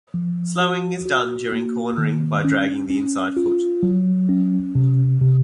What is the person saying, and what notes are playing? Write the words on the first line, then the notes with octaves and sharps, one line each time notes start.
Slowing is done during cornering by dragging the inside foot.
F3
F#4
F#4
A#3
D#3
C#4
C#4
F4
F#3
C#4
C3
C3